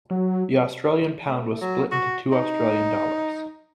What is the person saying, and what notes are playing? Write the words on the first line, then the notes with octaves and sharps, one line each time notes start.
The Australian pound was split into two Australian dollars.
F#3
A3
F#3
F#4
D#4